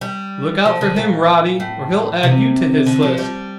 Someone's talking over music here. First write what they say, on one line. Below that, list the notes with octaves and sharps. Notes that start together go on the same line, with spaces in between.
Look out for him, Roddy, or he'll add you to his list.
G3
F3
D3
A#2
A2
C3
D3
F3
G3